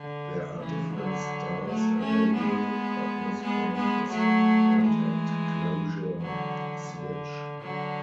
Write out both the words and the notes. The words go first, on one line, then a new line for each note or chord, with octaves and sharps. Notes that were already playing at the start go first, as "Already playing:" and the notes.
There are different styles available but most common is a contact closure switch.
Already playing: D3
C#3 E3
D3 F#3
F#3 A3
A3 C#4
G#3 B3
G#3 B3
G#3 B3
F#3 A3
E3 G#3
D3 F#3
D3
D3 F#3